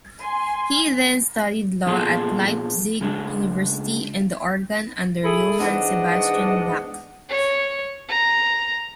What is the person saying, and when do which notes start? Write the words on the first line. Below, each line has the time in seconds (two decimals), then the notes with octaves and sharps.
He then studied law at Leipzig University and the organ under Johann Sebastian Bach.
0.22 G#5 C6
1.87 A#2 F3 B3 F4 G#4 A4
3.01 C#3 G#3 D4
5.24 E4 G#4 A4
5.59 E2 G#2 D4 D#5 F#5
7.29 C#5
8.08 A#5